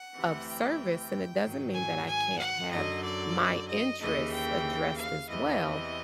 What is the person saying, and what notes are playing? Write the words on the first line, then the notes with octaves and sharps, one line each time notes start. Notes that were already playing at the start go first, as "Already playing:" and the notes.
of service, and it doesn't mean that I can't have my interests addressed as well,
Already playing: F#5
D2 C3 E3
G5
G#2 D#3 F#3
G#5
G#5
F#5
F#2 D3 F#3 D#5
D5
D#5
D#2 C#3 E3 D#5
G5
F5
E2 C3 E3 D#5